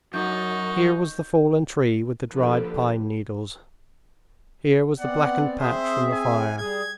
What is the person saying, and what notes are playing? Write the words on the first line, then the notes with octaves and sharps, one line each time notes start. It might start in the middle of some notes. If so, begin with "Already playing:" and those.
Here was the fallen tree with the dried pine-needles, here was the blackened patch from the fire.
F#2 D#4 F#4 G6
D3 F3 A#3 G4 A4 B4
B3 C4 D5 F#5
C4 G#4 C5 E5
G#5
G3 G#4 G#6